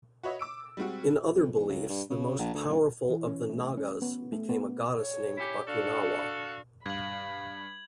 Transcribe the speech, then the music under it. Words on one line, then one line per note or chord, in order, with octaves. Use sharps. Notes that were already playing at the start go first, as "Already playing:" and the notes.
In other beliefs the most powerful of the Nagas became a goddess named Bakunawa.
F#4 B4 C#5 D#5 E5
D6 E6 D7
G3 G#3 C4 F#4
F2
E2
C#2
G2
C#3
A#1
D2
G1
E3
C#4
A3
C#4
B3
A3
B3
C#5
C#4 E4 G4
D4 F#4 A4 F5
G2 F5 B5 G#6 F#7